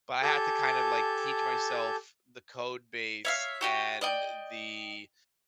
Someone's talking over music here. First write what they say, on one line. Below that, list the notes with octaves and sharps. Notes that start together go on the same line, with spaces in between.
but I had to kinda, like, teach myself the code base and the
G4 A4 G#5 A5 G6
C#5 E5 F5
F#4 G4 G5
D5 D#5 G5